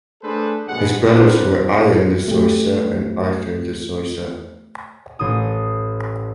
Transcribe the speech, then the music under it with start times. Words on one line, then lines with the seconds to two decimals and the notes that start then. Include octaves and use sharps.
His brothers were Ian de Zoysa and Arthur de Zoysa.
0.23 A3 D4 G#4 A4 B4 C5
0.67 A#1 G2 B2 G#3 F#5
1.14 B3 C4 D4 A#4 B4
2.28 A3 G4
5.19 A1 D#6